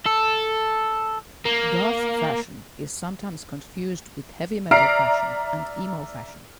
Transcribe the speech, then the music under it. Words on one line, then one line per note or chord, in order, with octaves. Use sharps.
Goth fashion is sometimes confused with heavy metal fashion and emo fashion.
A4
A#3
D5 E5 A#5 F6 C7 D7